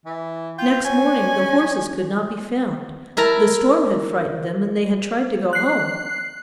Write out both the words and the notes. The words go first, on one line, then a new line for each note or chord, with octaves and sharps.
Next morning the horses could not be found; the storm had frightened them, and they had tried to go home.
E3
F4 G5
C#4 G#5
E4 A#4 A5 A#5
F#6 C7